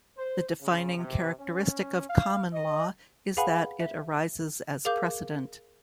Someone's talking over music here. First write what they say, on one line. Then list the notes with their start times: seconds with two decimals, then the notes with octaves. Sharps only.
The defining characteristic of "common law" is that it arises as precedent.
0.18 C5
0.60 C#3
0.97 C3
1.39 C#4
2.10 F5
2.53 D#5
3.37 G#4 B4 F5 F#5 G#5 B5
3.80 E5
4.85 G#4 A#4 F5 D6 G6